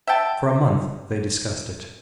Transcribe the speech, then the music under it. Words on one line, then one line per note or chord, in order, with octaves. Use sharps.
For a month they discussed it.
E5 F#5 G5 A5